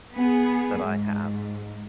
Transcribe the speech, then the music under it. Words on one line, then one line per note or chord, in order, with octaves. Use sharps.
that I have
B3 G#4
G#2